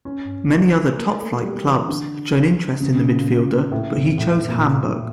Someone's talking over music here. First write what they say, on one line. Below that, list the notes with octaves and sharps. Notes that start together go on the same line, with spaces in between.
Many other top-flight clubs had shown interest in the midfielder but he chose Hamburg.
C#4
A#3
A3
G3
E3
D3
C#3
C#3
A#2
A2
F2
A2
A#2